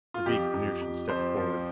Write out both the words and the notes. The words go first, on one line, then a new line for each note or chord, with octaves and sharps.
The big Venusian stepped forward.
F4
F2 G4
F2
F2
F2 C5
F3